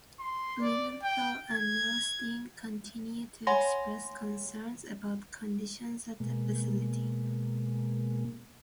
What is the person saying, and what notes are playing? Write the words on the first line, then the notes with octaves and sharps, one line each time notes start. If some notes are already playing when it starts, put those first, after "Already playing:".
Blumenthal and Milstein continued to express concerns about conditions at the facility.
C6
D5
G5
G#6
C#5 F#5 G#5 B5 C6 A#6
B2 G#3 A#3